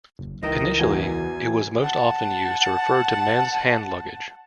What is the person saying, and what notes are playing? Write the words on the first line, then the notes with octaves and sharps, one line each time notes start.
Initially, it was most often used to refer to men's hand-luggage.
F#1
C#2 E3 D#4 A#4 D#5
E2 F#4 G#5
F#5 A5